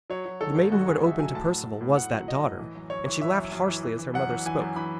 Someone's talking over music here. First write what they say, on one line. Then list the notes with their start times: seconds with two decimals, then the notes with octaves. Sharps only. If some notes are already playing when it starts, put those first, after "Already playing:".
The maiden who had opened to Perceval was that daughter, and she laughed harshly as her mother spoke.
0.10 F#3 C#5
0.26 F#3
0.41 D#3 A4
0.56 G#2
0.72 D#3 F#4
0.87 G#2 G#4
1.04 G#2 E5
1.19 F#3 G#5
1.35 A2 A5
1.50 F#3
1.65 A2
1.81 A2
1.97 A2 F#5
2.12 F#3
2.28 F#3 D#5
2.44 A2
2.59 E3
2.75 F#2
2.90 F#2 C#5
3.06 E3
3.21 E3 E5
3.37 F#2
3.52 F#2
3.68 E3
3.83 E3
3.99 E3
4.14 F#2 F#5
4.30 E3
4.45 E3 G#5
4.61 F#2
4.76 E3 B5